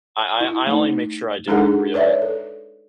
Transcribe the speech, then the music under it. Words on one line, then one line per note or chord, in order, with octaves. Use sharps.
I I I only make sure I do it in real,
E4
A3 D#4
G#3 D4 D#4 G#4 A4 F#5
B4 C#5 D5 E5
A4